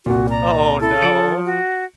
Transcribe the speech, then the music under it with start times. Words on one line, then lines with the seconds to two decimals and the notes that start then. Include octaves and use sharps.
Oh, no.
0.06 C2 A#2 F#4
0.30 D5 A#5
0.80 E4 A4
1.02 F3 C#7 D7 F#7
1.45 F#4